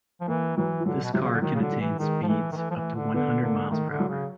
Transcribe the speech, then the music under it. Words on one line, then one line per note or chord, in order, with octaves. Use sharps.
This car can attain speeds up to one hundred miles per hour.
F3
E3 A#3
E3 F#3
F3
D3 F#3
B2
C3 F#3
C#3
D3
D#3 F#3
C#3
D3 F#3
G3
E3
D#3 G#3
F3
E3 A3
D#3
E3
F3
E3
D3
D3 B3
D3 A#3
D#3 A3
D3
F#3
C#3